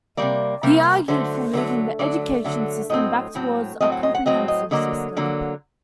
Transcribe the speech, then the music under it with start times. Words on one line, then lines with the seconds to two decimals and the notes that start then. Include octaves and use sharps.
He argued for moving the education system back towards a comprehensive system.
0.17 C3 G3 A#3 D5
0.63 C3 G3 A#3
1.08 D3 F#3 A3 C5
1.53 D3 F#3 A3
1.99 D3 F#3 A3 D5
2.44 D3 F#3 A3
2.90 A2 F#3 C4 D#5
3.35 A2 F#3 C4
3.80 A2 F#3 C4 D#5
3.92 F#5
4.03 D#5
4.15 F#5
4.26 A2 F#3 C4 D#5
4.48 D#5
4.71 D3 F#3 A#3 D#5
5.17 D3 F#3 A#3